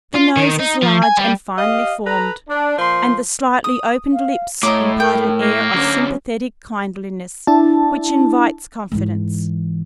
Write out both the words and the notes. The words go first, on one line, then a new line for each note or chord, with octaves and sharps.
The nose is large and finely formed, and the slightly-opened lips impart an air of sympathetic kindliness which invites confidence.
F4
D#3
D#4
F3
G#5
G3
G4 D#5 F5
A4 B4 A#5
D4
A#2 F3 C5 C6
D#6
F5
A2 C#5 D#5 A#5 D6
A#4 G5
A#3
D3 F#3 C#4
D4 E4 A5
G#2 E3